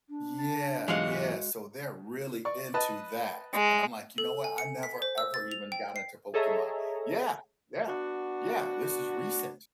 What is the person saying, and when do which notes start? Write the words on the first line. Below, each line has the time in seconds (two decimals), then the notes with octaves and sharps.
Yeah, yeah, so they're really into that, and I'm like, you know what, I never ever even got into Pokemon. Yeah, yeah, yeah, this is recent,
0.09 D4
0.38 A5
0.88 G#2 E3 F#3 G#3 G4 F5 F#5
1.22 F#4
2.45 D5 C#6
2.74 B4 D#5 A5
3.54 G#3
4.18 A4
4.44 G#5
4.58 C#7
4.83 B6
5.02 C5
5.18 E6
5.34 A6
5.52 F7
5.72 G5
5.96 C7
6.34 G#4 A4 C#5 D#5 E5 A#5
7.88 B3 D4 F#4